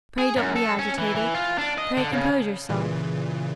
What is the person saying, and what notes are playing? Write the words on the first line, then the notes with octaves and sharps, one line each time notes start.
Pray don't be agitated! pray compose yourself!
G#4
F#2
A4
C#4
E3
E3
F4
D4
D#5
D3
C#3
A#2 C#3 E3